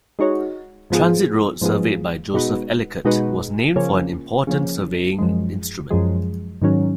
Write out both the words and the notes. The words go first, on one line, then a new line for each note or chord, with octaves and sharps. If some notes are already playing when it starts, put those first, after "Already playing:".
Transit Road, surveyed by Joseph Ellicott, was named for an important surveying instrument.
G#3 D#4 F#4 C#5
G#2 F3 B3 F4 G#4
G#2 F3 B3 F4 G#4
B2 G#3 D#4 F#4 B4
B2 G#3 D#4 F#4 B4
C#3 F3 A#3 C#4
C#3 F3 A#3 C#4
F#2 F3 G#3
F#2 F3 G#3
G#2 D#3 F#3 C#4